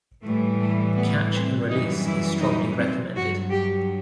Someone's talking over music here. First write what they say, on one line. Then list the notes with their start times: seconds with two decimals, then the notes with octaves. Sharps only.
Catch and release is strongly recommended.
0.22 A2 E3 G3 A3
0.60 A3
0.96 B3
1.32 C4
1.69 F#2 E3 G3 D#4
2.05 E4
2.41 D#4
2.78 C4
3.15 G2 F#3 F#4
3.51 G4